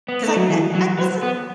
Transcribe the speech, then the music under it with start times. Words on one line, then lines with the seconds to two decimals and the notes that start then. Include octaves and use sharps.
'Cause I get I guess it's
0.08 B3
0.23 A3
0.36 F#3
0.50 E3
0.75 F#3
0.99 F#3
1.23 B3